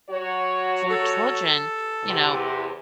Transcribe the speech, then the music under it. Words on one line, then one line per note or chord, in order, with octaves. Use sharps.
for children, you know,
F#3 F#4 C#5
A4
E2 C3